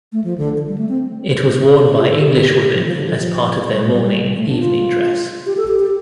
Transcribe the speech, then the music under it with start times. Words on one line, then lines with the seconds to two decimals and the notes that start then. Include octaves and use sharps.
It was worn by English women as part of their mourning evening dress.
0.12 A3
0.24 F3
0.38 D3
0.68 G3
0.78 A3
0.89 C4
1.98 F4
2.09 A4
2.20 G4
2.31 G4
2.42 G4
2.52 G4
2.63 G4
2.74 F3
2.86 F3
2.96 D3
3.06 F3
3.17 F3
3.72 G3
3.82 A3
3.94 G3
4.05 G3
4.26 G3
4.38 A3
4.48 D4
4.59 F4
5.46 G4
5.57 A4
5.68 G4
5.79 G4